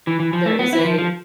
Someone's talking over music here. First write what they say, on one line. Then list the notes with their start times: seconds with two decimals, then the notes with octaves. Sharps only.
There is a
0.07 E3
0.20 E3
0.33 F3
0.46 A3
0.59 B3
0.73 E4
0.79 E3
0.85 F3
0.98 F3